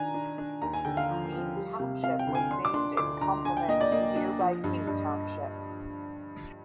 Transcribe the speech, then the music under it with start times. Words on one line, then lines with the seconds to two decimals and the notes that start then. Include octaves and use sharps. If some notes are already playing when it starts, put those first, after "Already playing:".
Queen Township was named in complement to nearby King Township.
Already playing: D#3 D4 G#5 A#5
0.14 D4
0.38 D4
0.62 D#2 A#5
0.73 G#5
0.85 D3 G5
0.97 F5
1.09 F3
1.33 F3
1.56 G3
1.80 C3
2.03 C4 F5
2.19 G5
2.27 D2
2.35 G#5
2.51 D4 C6
2.65 D6
2.74 D4 C6
2.97 D2 D6
3.21 D2 A#5
3.45 D4 G#5
3.57 G5
3.68 A#3 D#5
3.81 D5
3.92 A#3 D#5
4.16 D4
4.39 F3
4.64 G2
4.87 G2